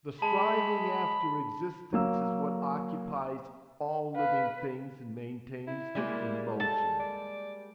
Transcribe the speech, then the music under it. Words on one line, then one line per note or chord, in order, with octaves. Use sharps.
The striving after existence is what occupies all living things and maintains them in motion.
G#3 A5 B5
F#3 A#3 E6
B4 F5
E4
G3 G#3 A#3
A4 A5
D5